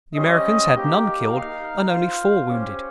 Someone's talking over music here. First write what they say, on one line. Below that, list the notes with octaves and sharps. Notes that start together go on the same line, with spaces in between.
The Americans had none killed, and only four wounded.
G3 C#4 G4 C5 D#5
A#3 D#4 G4
D#4 A#4 F5
F4 C5 F5
C#4 G4 C5